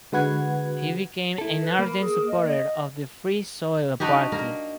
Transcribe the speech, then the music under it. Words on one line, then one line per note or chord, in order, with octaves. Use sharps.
He became an ardent supporter of the Free Soil Party.
D3 G#3 F#4 B4 F#5 G#6
E4 A4
B4
A#3 B5
G#4
D#5
D4 D#4 F#4 G4
A#3 A#4